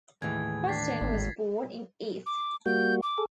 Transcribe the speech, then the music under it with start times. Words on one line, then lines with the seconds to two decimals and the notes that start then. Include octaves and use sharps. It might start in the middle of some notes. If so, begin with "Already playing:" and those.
Hustin was born in Ethe.
0.22 D#2 A2 E3 G#4 G#6
0.68 D4 A6 B6 C7
1.01 G#1
2.26 D6
2.66 G3 A#3 F#4 G6
3.03 D6
3.18 G#4 A4